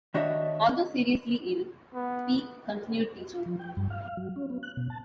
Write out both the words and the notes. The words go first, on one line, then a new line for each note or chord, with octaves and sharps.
Although seriously ill, Peake continued teaching.
D#3 D4 F#4 C#5 D#5 E5
B3
F4
F3
G5
G2
F5
F5
F#3
C#4
B3
F#6
B2
A5